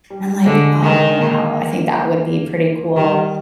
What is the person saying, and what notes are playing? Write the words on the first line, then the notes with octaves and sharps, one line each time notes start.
And I'm like, "Oh wow, I think that would be pretty cool,"
G3
D3 G#3
D#3 G#3
A#3
D#3 G3